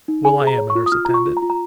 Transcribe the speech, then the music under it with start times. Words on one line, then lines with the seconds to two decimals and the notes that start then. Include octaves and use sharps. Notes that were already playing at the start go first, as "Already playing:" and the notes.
Well, I am a nurse-attendant.
0.08 D#4
0.25 G#4 G#5
0.41 G#4
0.47 A#5
0.58 C#5
0.70 C#6
0.75 F4
0.86 D#6
0.92 F4 F6
1.05 F4 A#5
1.14 C#6
1.26 F4
1.37 A#5
1.42 F4
1.50 A#5